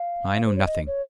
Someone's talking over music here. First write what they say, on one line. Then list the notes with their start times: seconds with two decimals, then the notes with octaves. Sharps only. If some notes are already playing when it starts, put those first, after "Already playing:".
"I know nothing."
Already playing: F5
0.46 C5
0.56 C#5
0.66 D#5
0.87 C#5